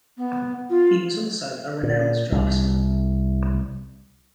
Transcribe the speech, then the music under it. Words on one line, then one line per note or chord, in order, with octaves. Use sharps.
He was also a renowned draftsman.
B3
F4
A#2
C2